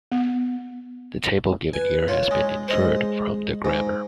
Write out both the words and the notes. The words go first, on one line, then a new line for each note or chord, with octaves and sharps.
The table given here has been inferred from the grammar.
B3
B4 G#5
F4 C#5
G#3
G#3 C5 D#5
G#2